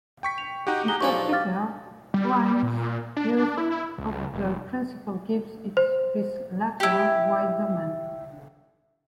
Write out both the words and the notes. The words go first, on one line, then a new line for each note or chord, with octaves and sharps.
In particular, Quine's use of the principle gives it this latter, wide domain.
G5 C#6 B6
F7
D#4 F#4 G4 F#5 G5
G#4 F#5 A#5 G7
B1 F3 D4 A4 C#6
G4 F5 F6 A6
G3
A#2
D4
E4
C#2
F1
C5
E4 G4